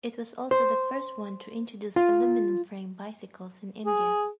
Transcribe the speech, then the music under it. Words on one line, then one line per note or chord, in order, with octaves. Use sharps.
It was also the first one to introduce aluminum frame bicycles in India.
C5
F4
G#4